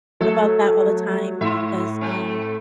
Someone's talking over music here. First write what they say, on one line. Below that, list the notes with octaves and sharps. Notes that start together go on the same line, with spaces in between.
about that all the time because, um,
F#3 A3 A4
A2 E4 E5
A3 C4